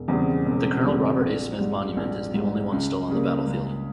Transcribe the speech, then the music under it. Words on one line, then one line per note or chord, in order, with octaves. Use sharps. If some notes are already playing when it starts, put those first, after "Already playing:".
The Colonel Robert A. Smith Monument is the only one still on the battlefield.
Already playing: E1
E2 C#3 G3 C4
E1
E2 C#3 G3 C4
A#1
G#2 G3
A#1
G#2 G3
C#2
C#3 G3 A#3
C#2